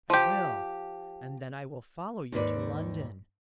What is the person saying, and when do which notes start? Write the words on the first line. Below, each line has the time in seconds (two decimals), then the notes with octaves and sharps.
I will;--and then I will follow you to London.
0.10 F3 G4
2.32 D#2 G#2 B4 D5